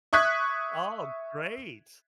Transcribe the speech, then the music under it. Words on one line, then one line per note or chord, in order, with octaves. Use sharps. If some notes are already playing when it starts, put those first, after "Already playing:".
Oh, great.
E5 C#6 D#6 F#6 G#6 B6